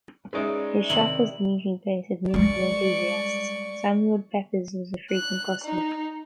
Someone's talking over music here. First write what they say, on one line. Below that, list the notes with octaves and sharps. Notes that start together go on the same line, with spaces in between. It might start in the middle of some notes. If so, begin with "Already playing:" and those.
His shop was the meeting-place of musical enthusiasts; Samuel Pepys was a frequent customer.
G#3 C#4 D#4 B4 D5 E5
C3 D#3 E4 F#7
G3 G#3 D5 C#6
F#6
D#4